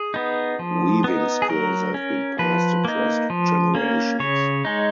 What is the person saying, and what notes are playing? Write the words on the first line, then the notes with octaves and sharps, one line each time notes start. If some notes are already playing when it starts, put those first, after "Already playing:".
Weaving skills have been passed across generations.
Already playing: G#4
B3 D#4
F3
B3 D#4
G#4
F#3 A#4
C#4
F3 B4
A#3 D#4
F3
A#3 C#4
C#3 C#5
G#3 D#4